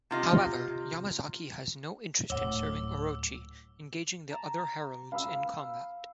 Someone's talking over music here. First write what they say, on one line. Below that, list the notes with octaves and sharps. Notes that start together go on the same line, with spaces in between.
However, Yamazaki has no interest in serving Orochi, engaging the other Heralds in combat.
C3 F4 D#5
D1 A2 C#5 F#5 D6 E6 G7
A5 A#5
F5 B5 E6